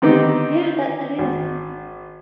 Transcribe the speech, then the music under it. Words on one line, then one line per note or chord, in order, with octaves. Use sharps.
Yeah, that that is.
D3 D#3 B3 C4 D#4 G4
G#1